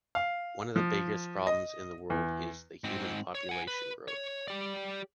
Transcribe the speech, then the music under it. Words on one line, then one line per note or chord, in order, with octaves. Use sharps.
One of the biggest problems in the world is the human population growth.
F5
F3
D#5
E2
G#2 C4
C#5
F#5 G#5
B4
C#5
G4 D5